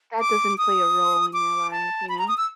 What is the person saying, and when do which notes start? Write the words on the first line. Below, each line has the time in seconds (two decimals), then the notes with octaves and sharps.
that doesn't play a role in your life, you know?
0.20 D6
0.58 D#6
1.33 D6
1.72 A5
2.09 B5
2.18 A#5
2.28 D#6
2.37 E6